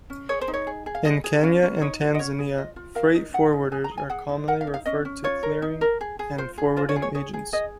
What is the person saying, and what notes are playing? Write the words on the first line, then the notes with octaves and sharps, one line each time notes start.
In Kenya and Tanzania freight forwarders are commonly referred to clearing and forwarding agents.
C#4
G#4 C#5
C5
D#4
C#5
G#4
G#4
F5
G#4 D#5
G#4
C#4 F5
C#4
D#4 C#5
F#4
D#5
C#4 C#5
G#4
F4 D#5
F4
A#4 F5
D#4
D#4 F#5
D#4
G#4 G#5
A#5
G#4
G#5
G#4 F#5
D#4
A#4 F#5
F5
D#4
F5
C#4 D#5
C#4
F4 C#5
A#4
D#4
A#4
G#4
G#4
F4 C5
G#4
F4 C5
C#5
G#4
C#5
G#4 C#5
G#4
G#4 D#5